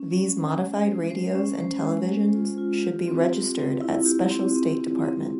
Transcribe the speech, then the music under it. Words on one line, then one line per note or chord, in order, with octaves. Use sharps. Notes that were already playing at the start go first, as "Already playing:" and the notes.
These modified radios and televisions should be registered at special state department.
Already playing: C#4
C#4
C5
G#3
C5
C5
C#4
C5
G#3
C5
F4
F4
G4
C4
G4
C4
E4
G4
C4
C4
C4
C4